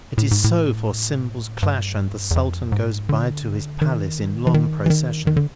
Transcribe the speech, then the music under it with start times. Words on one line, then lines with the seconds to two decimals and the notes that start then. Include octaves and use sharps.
It is so, for cymbals clash, and the Sultan goes by to his palace in long procession.
0.18 A2
0.31 G#2
0.44 A2
1.63 G2
2.31 E2
2.36 F2
2.72 G#2
3.09 D3
3.82 D#3
4.47 E3
4.54 D#3
4.86 E3
4.90 D#3
5.27 D#3
5.37 D3